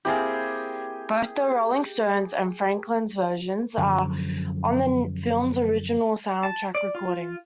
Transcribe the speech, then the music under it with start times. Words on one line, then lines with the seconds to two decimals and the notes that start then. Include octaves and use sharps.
Both the Rolling Stones' and Franklin's versions are on the film's original soundtrack recording.
0.05 A#3 C4 E4 G4 G#4
3.78 F#2 D3 F3
6.43 A5
6.75 D5
6.95 F4